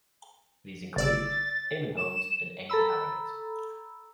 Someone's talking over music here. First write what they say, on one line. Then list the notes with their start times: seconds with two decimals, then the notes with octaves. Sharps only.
These included Eamonn Holmes and Ainsley Harriott.
0.96 G1 D5 E6 A6
1.97 E7
2.70 A4 A#5 B5 E6